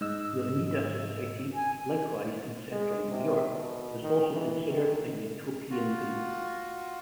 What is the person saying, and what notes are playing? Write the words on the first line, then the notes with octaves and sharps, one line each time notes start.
The Oneida Society, likewise in central New York, was also considered a utopian group.
G#2 D#5 E6
G#5
G#3
C3
B2
D#3
E3
D#3
F4 F#4